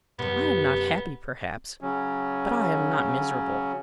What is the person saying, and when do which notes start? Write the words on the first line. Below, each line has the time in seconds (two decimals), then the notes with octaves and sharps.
I am not happy, perhaps; but I am not miserable.
0.19 F#2 C3 B3
1.80 C#3 F#3 C#4